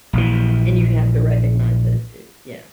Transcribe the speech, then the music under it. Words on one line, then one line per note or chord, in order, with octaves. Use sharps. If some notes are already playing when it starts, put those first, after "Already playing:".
and you have to recognize those too. Yeah,
A#1 E3